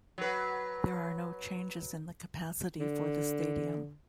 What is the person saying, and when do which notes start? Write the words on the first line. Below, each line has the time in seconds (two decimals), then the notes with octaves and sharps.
There are no changes in the capacity for the stadium.
0.18 F#3 B4
2.80 D3